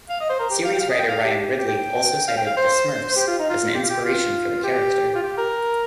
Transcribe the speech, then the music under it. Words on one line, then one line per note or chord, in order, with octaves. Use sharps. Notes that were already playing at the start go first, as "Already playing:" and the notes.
Series writer Ryan Ridley also cited "The Smurfs" as an inspiration for the character.
F5
D#5
C5
A#4
G4
F5
G5
F5
D#5
G5
F5
G4
G4
G5
F5
G5
F5
C5
G4
F4
D#4
F4
G4
F4
G4
F4
G4
F4
G4
A#4